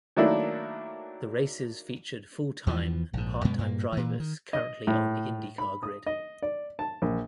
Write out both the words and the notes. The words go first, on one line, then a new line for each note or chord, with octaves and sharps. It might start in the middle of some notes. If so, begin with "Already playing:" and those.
The races featured full time and part time drivers currently on the Indycar grid.
D#3 F#3 A3 A#3 D4 E4
E2 E3 F3
A#1 G#2
F#2 B2 G#3 B3
G2 A#2 A#3
A#2 E3
D#3
D#5
A2
B5
D#6
D#5
D5
A5
A#1